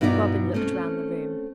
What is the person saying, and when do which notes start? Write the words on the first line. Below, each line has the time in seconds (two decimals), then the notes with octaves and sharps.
Robin looked round the room.
0.01 G2 B2 D#4 E4 G#4 D5
0.54 A3 C4 C#4